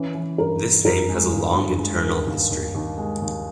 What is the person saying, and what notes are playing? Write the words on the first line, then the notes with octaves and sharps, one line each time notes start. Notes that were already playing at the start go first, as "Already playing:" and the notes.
This name has a long internal history.
Already playing: E3 C#4
E3
G2 A#4
G2
G2 A#4
G#3
G1
G2
G#3
D#3
D#2
D#2
D#2
G#3
D#2